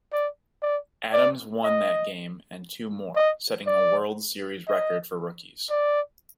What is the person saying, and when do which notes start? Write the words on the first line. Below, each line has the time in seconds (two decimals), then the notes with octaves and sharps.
Adams won that game and two more, setting a World Series record for rookies.
0.12 D5
0.62 D5
1.13 D5
1.64 D#5
3.15 D#5
3.66 D5
4.67 D#5
5.70 D5